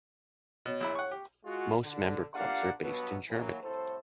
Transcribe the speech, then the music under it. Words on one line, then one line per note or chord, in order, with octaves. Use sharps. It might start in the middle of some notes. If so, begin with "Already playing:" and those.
Most member-clubs are based in Germany.
B2 C#5
A#1 E4 B5
F#5 C#6
G4
G#3 F4 F#4
D3
A#3 D4 F4 G4 F5 F#5
G2 B2 F#3 B3
E3 F#3 A#3
C2 A2 A4 C5